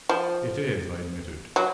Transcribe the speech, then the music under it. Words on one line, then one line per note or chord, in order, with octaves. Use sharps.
"It is," I admitted.
F3
F#3